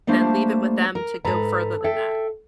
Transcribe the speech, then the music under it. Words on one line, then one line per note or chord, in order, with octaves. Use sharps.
then leave it with them to go further than that.
G3 A3 A#3 D4 C5
A#4
G#2 A4 B4 A#5
A4 E5 G5